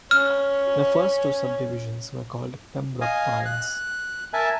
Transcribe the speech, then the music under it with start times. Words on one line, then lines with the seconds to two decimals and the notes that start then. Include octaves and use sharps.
The first two subdivisions were called Pembroke Pines.
0.11 C#4 F6
3.01 D#5 F5 G#5 D#6
3.45 F#6
4.33 A#4 E5 G#5 A5